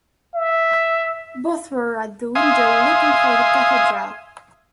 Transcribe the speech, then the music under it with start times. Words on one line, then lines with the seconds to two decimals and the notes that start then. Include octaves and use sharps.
Both were at the window looking for the cathedral.
0.35 E5
2.35 E5 F5 G#5 C6 D#6